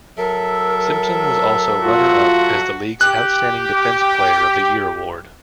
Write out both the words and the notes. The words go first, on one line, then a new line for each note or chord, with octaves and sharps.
Simpson was also runner-up as the league's Outstanding Defensive Player of the Year Award.
F#3 A4 A#4 E5
F4 F#4
G4 F#6